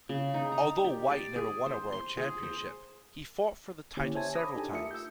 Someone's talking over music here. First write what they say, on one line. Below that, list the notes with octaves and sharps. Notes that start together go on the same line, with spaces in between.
Although White never won a world championship, he fought for the title several times.
C#3
D#4
A#5
G4
D5
G#4
C5
C6
G#4
C5
D3 A#3 C#4 E4 G4
C5 C#5 E5 G#5 A5 G#6
B5 D6 D#6 A#6
D4 D#4 G4 A4 G#5 A5
A3 F4 A#4 E5 D#6 C#7
E6 G6